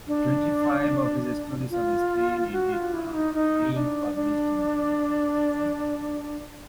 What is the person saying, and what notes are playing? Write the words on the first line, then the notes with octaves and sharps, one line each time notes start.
Twenty five of his stories on Spain ended up being published in Regards.
D4
F4
F#4
F4
E4
D#4
D#4
D4
D4